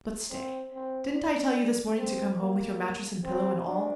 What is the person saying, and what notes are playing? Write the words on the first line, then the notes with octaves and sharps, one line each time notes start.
But, stay; didn't I tell you this morning to come home with your mattress and pillow and all?
C4
C4
D4
C4
A#3
C4
D4